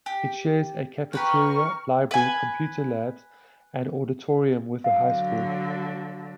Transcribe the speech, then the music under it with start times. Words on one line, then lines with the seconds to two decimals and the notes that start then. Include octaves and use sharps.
It shares the cafeteria, library, computer labs, and auditorium with the high school.
0.06 G4
1.13 G4 B4 G5 A#5 C#6 F6
2.11 B4 G#5
4.84 D3 F#3 F5